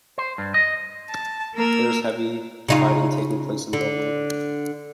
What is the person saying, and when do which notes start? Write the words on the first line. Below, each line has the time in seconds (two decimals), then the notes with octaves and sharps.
There is heavy fighting taking place in Dublin.
0.18 C5
0.38 G2
0.54 D#5
1.08 A5
1.55 A#3 A#4 E6
2.68 C#3 D#4 F4
3.73 D3